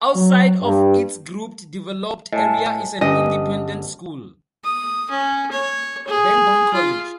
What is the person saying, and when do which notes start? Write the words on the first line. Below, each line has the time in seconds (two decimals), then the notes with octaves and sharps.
Outside of its grouped developed area is an independent school, Pangbourne College.
0.15 F#3
0.61 G2
2.33 A2 D#5 G#5 A5
3.01 G1 G2 C#4 D#5 G#5
4.64 D#6
5.10 C#4
5.51 C#5
6.07 G#4
6.73 F4